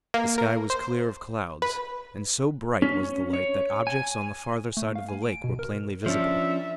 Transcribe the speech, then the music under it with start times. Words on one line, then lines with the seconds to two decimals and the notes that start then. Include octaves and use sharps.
The sky was clear of clouds and so bright was the light that objects on the farther side of the lake were plainly visible.
0.14 A#3
0.38 A#4
0.70 C5
1.62 B4
2.82 C#4
3.33 C#5
3.87 G#5
4.77 A3
4.95 F5
5.08 G#5
5.22 D7
5.44 B2
5.59 A#4
6.06 F3 C#4 D4 E5